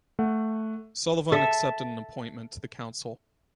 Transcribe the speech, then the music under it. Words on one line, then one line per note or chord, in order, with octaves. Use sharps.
Sullivan accepted an appointment to the council.
A3 F#5
A4 E5